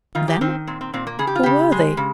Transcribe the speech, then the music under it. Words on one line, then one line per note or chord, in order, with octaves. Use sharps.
"Them"? who were they?
D#3 F4
G4
D#3 C4
A#2 C4
C4
A#2 C4
A#3
C#3 G#4
G4
F4
C#3 G4
G#3
C#3